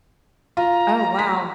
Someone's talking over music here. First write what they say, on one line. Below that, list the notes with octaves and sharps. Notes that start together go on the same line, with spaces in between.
Oh, wow.
F4 A#5
B6